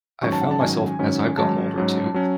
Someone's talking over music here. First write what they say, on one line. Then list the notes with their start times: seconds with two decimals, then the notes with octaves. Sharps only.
I've found myself, as I've gotten older too,
0.23 G#2 D#3 F#3 C#4 C#6
0.33 A5
0.41 F#5
0.51 A5
0.61 G#2 D#3 F#3 C#4 G#5
0.99 G#2 D#3 F#3 C#4
1.37 G#2 D#3 F#3 C#4 A5
1.75 G#2 F#3 C#4
2.14 F#3 C#4